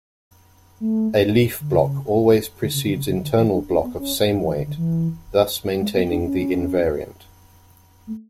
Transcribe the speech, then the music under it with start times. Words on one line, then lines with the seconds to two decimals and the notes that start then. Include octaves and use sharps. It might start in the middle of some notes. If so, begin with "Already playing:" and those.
A leaf block always precedes internal block of same weight, thus maintaining the invariant.
0.80 A3
1.60 D3
1.71 C#3
2.62 D3
2.74 C#3
2.86 D3
2.96 C#3
3.08 C#3
3.23 D3
3.39 E3
3.53 D4
3.69 C#4
3.84 B3
3.99 C#4
4.44 E3
4.56 D3
4.67 D3
4.77 E3
5.80 G#3
5.95 B3
6.10 D4
6.25 C#4
8.07 A3